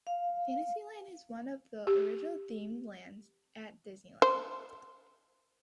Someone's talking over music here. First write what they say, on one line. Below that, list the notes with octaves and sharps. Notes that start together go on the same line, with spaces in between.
Fantasyland is one of the original themed lands at Disneyland.
F5
G4
C5